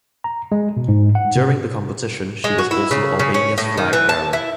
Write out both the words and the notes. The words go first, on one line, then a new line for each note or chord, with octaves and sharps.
During the competition she was also Albania's flag bearer.
A#5
G#3
B2
G#2
F#5
C3
G#3
F#4
E4
C#3
C#3
C#4
A2
D#3
E3
A5
E4